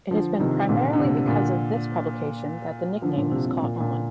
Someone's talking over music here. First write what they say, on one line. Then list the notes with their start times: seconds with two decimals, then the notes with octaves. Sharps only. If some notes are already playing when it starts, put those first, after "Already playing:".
It has been primarily because of this publication that the nickname has caught on.
0.11 D3 F3
0.40 C3 D#3
0.69 A#2 D3
0.93 D3
0.99 C3
1.27 A#2 D3
3.02 D3 F3
3.16 A#2 D3
3.31 C3
3.46 C3
3.61 A#2
3.80 A#2 D3